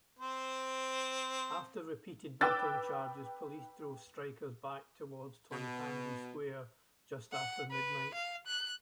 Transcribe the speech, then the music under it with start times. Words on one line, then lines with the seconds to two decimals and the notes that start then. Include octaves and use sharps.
After repeated baton charges, police drove strikers back towards Tonypandy Square, just after midnight.
0.19 C4 C5
2.41 B4 G5 D6 E6 F#6 A6
5.51 B2
7.32 F#5
7.71 B4
8.14 F5
8.47 F#6